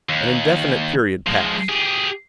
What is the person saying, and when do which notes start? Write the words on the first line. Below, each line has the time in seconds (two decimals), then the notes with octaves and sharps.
An indefinite period passed.
0.09 D#2
1.27 F3 G#3
1.69 G4 G#4